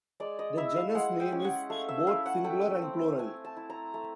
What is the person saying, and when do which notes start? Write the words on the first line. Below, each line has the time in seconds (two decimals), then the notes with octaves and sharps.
The genus name is both singular and plural.
0.20 G#3 D5
0.39 D#5
0.57 E4 E5
0.76 F5
0.95 G#3 F#5
1.20 G5
1.32 C#4
1.45 F#5
1.70 A3 F5
1.88 E5
2.07 E4 F5
2.26 F#5
2.44 A3 G5
2.82 C4
3.19 A3 G#5
3.44 A5
3.57 E4
3.70 A#5
3.94 A3